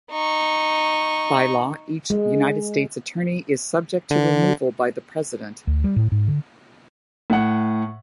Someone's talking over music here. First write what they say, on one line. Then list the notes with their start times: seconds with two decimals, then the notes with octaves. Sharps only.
By law, each United States attorney is subject to removal by the President.
0.12 D#4 C#6
2.10 G#3
4.10 D3
5.67 D2
5.84 G3
5.96 A2
6.12 G#2
6.28 D3
7.30 A2 F#5